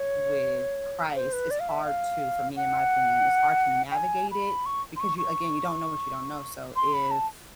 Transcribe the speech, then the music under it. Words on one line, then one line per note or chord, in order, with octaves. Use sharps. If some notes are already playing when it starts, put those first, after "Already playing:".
with Christ, it's hard to for me, in my opinion, it's hard to navigate it, because you again, you don't know what you don't know, so if
Already playing: C#5
C5
B4
D5
F5
E5
F5
F#5
G5
G#5
B5
C#6
C6
C#6
C#6
C6
B5
A5